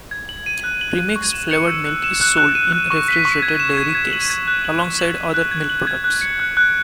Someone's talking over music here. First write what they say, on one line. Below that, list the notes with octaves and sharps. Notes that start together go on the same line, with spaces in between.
Pre-mixed flavored milk is sold in the refrigerated dairy case alongside other milk products.
G#6
F#7
D#7
F#6
F#7
D#7
C#6
E7
C#7
E6
F#6
E7
F#6
F#6
D#7
F#6
C#6
B6
C#6
G#6
E7
G#6
G#6
F#7
G#6
F#6
F#7
F#6
F#7
D#7
F#6
G#6
F#7
G#6
F#6
C#7
F#6
F#6